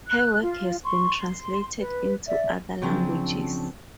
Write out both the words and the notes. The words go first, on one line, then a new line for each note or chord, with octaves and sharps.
Her work has been translated into other languages.
F#6
F4
C6 C#6
C6
B4
D5 E5
C#3 F3 F#3 C4 D4